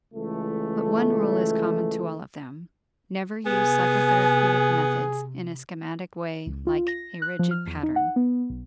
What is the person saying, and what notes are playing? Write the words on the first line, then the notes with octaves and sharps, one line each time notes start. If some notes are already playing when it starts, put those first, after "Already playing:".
But one rule is common to all of them: never use psychotherapeutic methods in a schematic way like a rigid pattern.
C#2 E3 A3
C3 B3 G#4 G#5
C#2
F4
A#6
F#6
F3
F6
E2
D#4
F#5
B3
B1